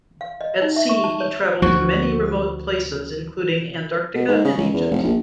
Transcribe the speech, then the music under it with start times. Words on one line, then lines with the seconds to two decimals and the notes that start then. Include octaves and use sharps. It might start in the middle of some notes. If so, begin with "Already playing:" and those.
At sea he traveled to many remote places, including Antarctica and Egypt.
0.21 F5
0.41 D#5
0.62 D#4
0.76 E5
0.89 C#6
1.04 A5
1.20 C#5
1.62 D2 F3 F#4
4.15 B2
4.28 G#2
4.45 C#3
4.57 C#2
4.73 E2
4.91 F1
5.03 A#1